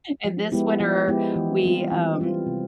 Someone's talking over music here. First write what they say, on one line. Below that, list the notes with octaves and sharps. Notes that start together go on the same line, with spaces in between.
and this winter, we, um
F3
G#3 B3 E4 G4
F3
G#3 B3 E4 G4
E3
G3 C4 F4
E3
G3 C4 F4
C3